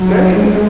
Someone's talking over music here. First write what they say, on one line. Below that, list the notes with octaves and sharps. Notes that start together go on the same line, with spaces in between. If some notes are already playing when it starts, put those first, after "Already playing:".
There you g
Already playing: F#3
G#3